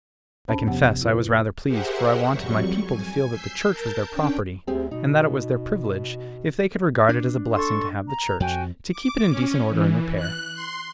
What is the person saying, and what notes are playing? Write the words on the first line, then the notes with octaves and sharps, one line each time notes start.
I confess I was rather pleased; for I wanted my people to feel that the church was their property, and that it was their privilege, if they could regard it as a blessing to have the church, to keep it in decent order and repair.
D#2 C#4 D4 C5 A5 B5
F2 C3 F3 B3 G4 F#5
E4 F4 B4
G4 G#4 A#4 C5 E5 F#5
F2 F#3 G3 C#6
G#5
E6 G6 B6 C7
A#4 A5 G6
C#4 D4 G5
D2 C4 G4 G#4
B2 D#4
D4
A4 C6 C#6
A#5
F2 F#4 G5 G#5
D6
C#4
E3
F#6
C6